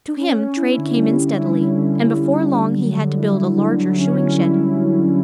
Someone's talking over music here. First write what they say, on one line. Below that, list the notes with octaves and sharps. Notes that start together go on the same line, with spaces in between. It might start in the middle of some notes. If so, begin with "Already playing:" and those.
To him trade came in steadily, and before long he had to build a larger shoeing-shed.
C#4
C#4
E4
D3
G3
D3
E4
D3
D3
D3
D3
G3
D3
F#3
D3
E4
D3
D3
F#3
C#4
C#4
E4